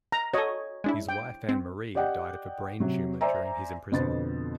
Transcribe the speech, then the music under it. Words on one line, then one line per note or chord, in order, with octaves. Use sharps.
His wife Anne Marie died of a brain tumour during his imprisonment.
A#5
F#4 A4 C#5 D#5
G#3 D4 E4
G5
C4
G4 D5 D#5 F#5 G5
C3 F#3
C5 D5 E5 G#5 A#5
F2 B2 D3 B3 C5 A6